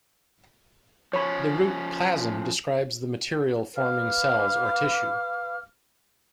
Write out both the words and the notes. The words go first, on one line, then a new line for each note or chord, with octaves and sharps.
The root "-plasm" describes the material forming cells or tissue.
F3 C#4 C#5 B5
B4 F5 D6 F6